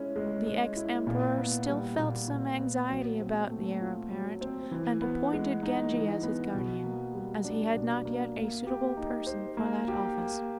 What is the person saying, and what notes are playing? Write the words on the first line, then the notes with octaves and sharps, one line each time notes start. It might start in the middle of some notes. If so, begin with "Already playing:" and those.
The ex-Emperor still felt some anxiety about the Heir-apparent, and appointed Genji as his guardian, as he had not yet a suitable person for that office.
Already playing: G#3 C#4 E4
G#3
G#3
E4
A#2
B3
G3
A#2
A#2
B3
F#3
C4
A3
F4
F#3
C4
E3
B3
G#3
D#4
E3
B3
B2
A#3
G3
D4
B2
A#3
A#3
G4
D#4
C5
A#3
G4
A#3